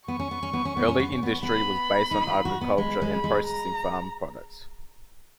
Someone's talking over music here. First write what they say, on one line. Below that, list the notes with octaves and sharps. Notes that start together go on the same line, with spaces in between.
Early industry was based on agriculture and processing farm products.
B3 C#6
C#4
B3
C#4
B3
C#4
B3
C#4
B3
C#4
B3
B3 B5
D#4
F4
F#4
B3
G#3 B5
G#3
B5
G#3
A#5